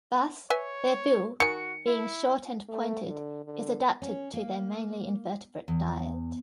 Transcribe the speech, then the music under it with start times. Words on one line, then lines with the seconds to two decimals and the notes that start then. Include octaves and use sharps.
Thus, their bill, being short and pointed, is adapted to their mainly invertebrate diet.
0.50 B4 C#5 E5 G#5
1.40 D#3 F#4 G#5 C#7
1.87 E4
2.69 A3
3.08 D3
3.45 D3
4.02 C#4
4.33 A#3
5.68 E2